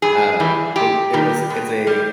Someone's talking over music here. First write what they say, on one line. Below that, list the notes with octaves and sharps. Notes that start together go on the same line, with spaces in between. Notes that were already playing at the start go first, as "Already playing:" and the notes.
Um, and it was it's a
G2 G#4
E3 G3
G#2 G4
D#3 G3
B2
G3